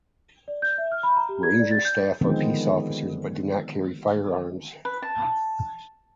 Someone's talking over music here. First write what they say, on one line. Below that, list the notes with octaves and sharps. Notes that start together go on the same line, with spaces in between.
Ranger staff are peace officers but do not carry firearms.
D5
G6
E5
F6
B5
A#5
G4
G#6
D5
A6
G6
D3 D#3 F3 G#3 B3 C4
B4
A5